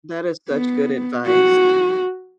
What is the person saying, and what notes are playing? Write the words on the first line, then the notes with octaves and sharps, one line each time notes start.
That is such good advice.
B3
F#4